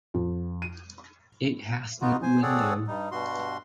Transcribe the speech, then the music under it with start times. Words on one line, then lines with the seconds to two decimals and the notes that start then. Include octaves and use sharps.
It has no window.
0.14 F2
0.62 D#7
2.01 B3 D#4 F4 F#4
2.22 C5 G#5
2.42 C4 G#4 A4 C#5 D5 F#5
2.88 G2 G3 D#4
3.11 G2 B2 G3 F#4 C6